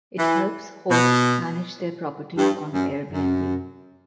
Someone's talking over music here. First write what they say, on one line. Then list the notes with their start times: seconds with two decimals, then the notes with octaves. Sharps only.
It helps hosts manage their properties on Airbnb.
0.18 E3
0.91 B2
2.37 G2
2.74 F#2
3.11 F#2